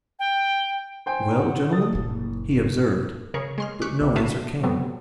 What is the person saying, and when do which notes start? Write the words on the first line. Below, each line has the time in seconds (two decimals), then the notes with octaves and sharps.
"Well, gentlemen?" he observed, but no answer came.
0.19 G5
1.06 C5 G5 G#5
1.27 D#4
1.39 F#5
1.72 A4 D#6 A6
1.93 F#1 A#2
3.34 C#3 G#4 A#4 C#5
3.58 G#3 C6 F6
3.82 C#6 D6 F6 F#6 B6 C#7
4.01 A#1 C3
4.16 F4 F#4 B4 E5 F5 A5
4.63 C3 F#3 G3 A3 B3